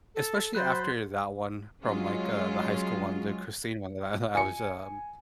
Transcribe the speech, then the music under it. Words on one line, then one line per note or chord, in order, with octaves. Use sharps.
especially after that one from like, uh, the high school one, the Christine one that I I was, um,
A4
F#3 C5 B5 F#6 G6 A6
F#3 G#3 C#4 F4
G#5 C#7